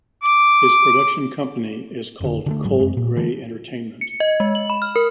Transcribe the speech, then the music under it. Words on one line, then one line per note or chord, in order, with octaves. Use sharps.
His production company is called Cold Grey Entertainment.
D6
F1 D3
D3 E3 A3
G1 G#2 F#3 G#3
F#2 G#3
A#2
D3 E3 A3
C#7
D#5
G#3
F#7
B5
F6
A#4